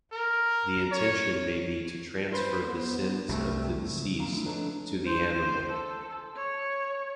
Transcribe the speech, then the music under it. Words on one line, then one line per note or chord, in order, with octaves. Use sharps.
The intention may be to transfer the sins of the deceased to the animal.
A#4
C#5
B4 C5
B3
C2 C3 A3 G4
C#2 G2
F#2 A#3 C4 D4 F5 A#5
F3 A3 E4 F4
D4 A4 B4 C#5 D#5 A#5
C5
A4
C#5